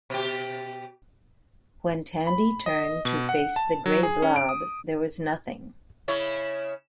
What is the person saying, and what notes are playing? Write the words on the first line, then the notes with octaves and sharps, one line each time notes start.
When Tandy turned to face the grey blob, there was nothing.
B2 G4
B5
D#5
B2
F#5
A5
F#3
G#4
C#4
D7
D#6
C#3 E4 C#5